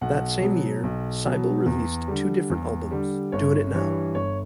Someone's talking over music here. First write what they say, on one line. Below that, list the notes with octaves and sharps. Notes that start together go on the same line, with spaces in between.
That same year, Sybil released two different albums: Doin' It Now!
B1 F#5
B2 F#3
B1
B2 F#3
E2
D3 G3
E2
D3 G3
G1 C#5
G2 E3 G3 C#5
G1 C#5